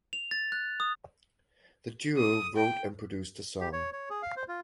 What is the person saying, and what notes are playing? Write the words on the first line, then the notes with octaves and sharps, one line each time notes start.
The duo wrote and produced the song.
F7
A6
F#6
D#6
D#6
G5
G4
C#5
C#5
G#4
F5
C5
F4